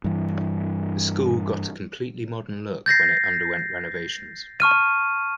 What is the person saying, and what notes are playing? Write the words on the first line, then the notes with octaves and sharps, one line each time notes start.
The school got a completely modern look when it underwent renovations.
G2 E3
G6 A6 A#6 C7
A5 C#6 F6 D#7